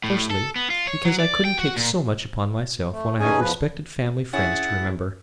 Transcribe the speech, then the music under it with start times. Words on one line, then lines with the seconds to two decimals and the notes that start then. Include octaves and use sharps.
Firstly, because I couldn't take so much upon myself when I have respected family friends to remember.
0.04 A2
0.31 A4
0.56 B3
0.70 F4
0.87 C#5
1.05 F#3
1.20 D5
1.45 G5
1.58 F#4
1.76 A#2
2.92 A3
3.20 D2 G2 C#4 D#4 G#4 G#5
3.41 E2 F3 B4
4.33 C#4 E4 G#4 E5 F#5 A6